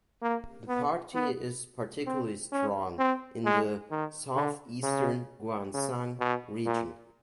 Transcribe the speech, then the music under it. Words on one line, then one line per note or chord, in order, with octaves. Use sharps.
The party is particularly strong in the southeastern Gyeongsang region.
A#3
B3
B3
C4
C#4
C4
G#3
D#3
D3
C#3
C#3
B2
A#2